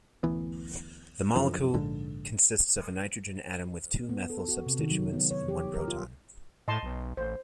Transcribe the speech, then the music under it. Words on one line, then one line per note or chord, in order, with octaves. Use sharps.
The molecule consists of a nitrogen atom with two methyl substituents and one proton.
D1 A1 E3 B3
F#2 D3 F3
A#1 G#2 D3
B3
A4
F#4
C3
D#3
F#3
B3
C#5
G4
A#4
F4
A2 D#5 A5 C6
B1
A1 C5